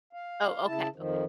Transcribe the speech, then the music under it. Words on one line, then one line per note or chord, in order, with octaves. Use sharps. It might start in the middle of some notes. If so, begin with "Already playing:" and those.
Oh, okay, okay.
F5
C#3 E4 A5
F2 D#3 F3